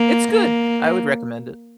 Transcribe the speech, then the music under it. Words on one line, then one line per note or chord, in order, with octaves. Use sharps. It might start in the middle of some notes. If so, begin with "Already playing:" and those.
It's good, I would recommend it.
Already playing: A#3
A#3